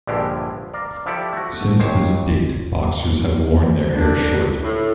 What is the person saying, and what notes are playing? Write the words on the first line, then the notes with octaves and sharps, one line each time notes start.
Since this date boxers have worn their hair short.
A#1 G2 D3 G#3 G4
D5 F5 A#5
F3 E4 G4 A4 D5
A3 F#4
D#2 A#2 C5 C#5
D4
A2